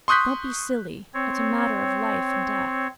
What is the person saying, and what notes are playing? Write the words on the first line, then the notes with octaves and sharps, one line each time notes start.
'Don't be silly - it's a matter of life and death.'
C6 C#6 D#6 F#6 G6 B6
C4 C#5